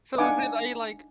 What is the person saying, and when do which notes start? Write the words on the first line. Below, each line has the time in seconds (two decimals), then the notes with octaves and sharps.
So is it, like like,
0.18 D4 D#4 F5 F#5 G#5 D6